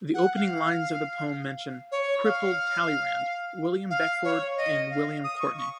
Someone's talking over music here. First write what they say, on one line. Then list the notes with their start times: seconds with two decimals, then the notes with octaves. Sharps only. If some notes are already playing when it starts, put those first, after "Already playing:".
The opening lines of the poem mention "crippled Talleyrand", William Beckford and William Courtenay.
0.14 F#5
0.36 F5
1.92 C#5
2.25 F5
3.90 F5
4.24 C#5
4.57 D#5
4.91 F5
5.24 D#6
5.40 C#6
5.57 C#6